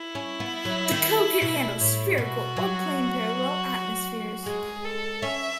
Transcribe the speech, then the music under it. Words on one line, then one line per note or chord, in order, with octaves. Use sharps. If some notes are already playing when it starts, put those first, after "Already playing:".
The code can handle spherical or plane-parallel atmospheres.
Already playing: E4
C#4
B3
F#3
D#3
B2
A2
B2 F#4
F#3
G#3 G#4
A4
C#4 E5